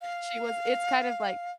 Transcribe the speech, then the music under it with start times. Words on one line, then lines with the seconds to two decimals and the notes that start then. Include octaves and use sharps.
She was it's kind of like
0.01 F5